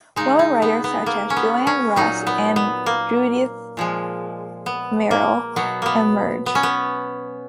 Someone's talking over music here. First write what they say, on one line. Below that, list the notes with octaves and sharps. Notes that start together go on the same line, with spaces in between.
Women writers, such as Joanna Russ and Judith Merril, emerged.
C#3 G#3 D#4
D#4
B3
B3
A#3
C#4
B3
C#4
A#2 F#3 D#4
B3
B3
A#3
A#2 F3 G#3
B3
A#3
B2 F#3 B3
A#3 B3
B3
C#4
B3